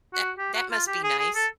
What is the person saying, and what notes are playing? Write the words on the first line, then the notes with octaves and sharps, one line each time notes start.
That that must be nice.
F#4
G4
F#4
F4
G4
G#4
G#4
A4